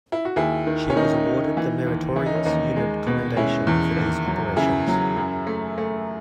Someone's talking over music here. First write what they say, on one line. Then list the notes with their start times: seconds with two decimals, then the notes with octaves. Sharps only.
She was awarded the Meritorious Unit Commendation for these operations.
0.12 E4
0.25 F#4
0.36 D#2 E4 G#4
0.67 D#3
0.90 C#4
0.96 D#3 D#4
1.26 D#3
1.57 E3
1.87 D#2
2.16 E3 E4
2.26 D#4
2.35 C#4
2.45 D#2 D#4
2.76 G#3
3.07 B2
3.36 G#3 C#4 E4
3.67 E2
3.97 D#2
4.27 F#3
4.56 C#3 E4 G#4
4.88 F#3
5.17 F#2
5.47 A3
5.78 A3